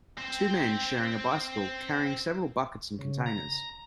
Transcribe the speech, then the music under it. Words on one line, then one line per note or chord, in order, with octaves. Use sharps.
Two men sharing a bicycle, carrying several buckets and containers.
C4 C5
C#3
A#5